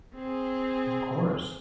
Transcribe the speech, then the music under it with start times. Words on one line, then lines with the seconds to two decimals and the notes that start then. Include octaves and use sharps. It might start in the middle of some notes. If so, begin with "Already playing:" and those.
Of course.
0.15 C4 G#4